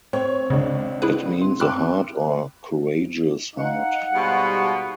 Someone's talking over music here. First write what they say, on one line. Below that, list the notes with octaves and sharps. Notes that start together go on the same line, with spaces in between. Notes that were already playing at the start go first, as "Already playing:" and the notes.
It means a heart or courageous heart.
C4 C#5
C#2 C#3 D4
E4 G#4 B4
C4
F#2 G5 B5 D6 F6 F#6
D#4 F5 F#5
G#2 B2 G3